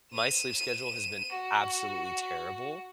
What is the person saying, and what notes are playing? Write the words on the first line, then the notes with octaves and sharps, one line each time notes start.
my sleep schedule has been absolutely terrible,
D#7 E7
F#4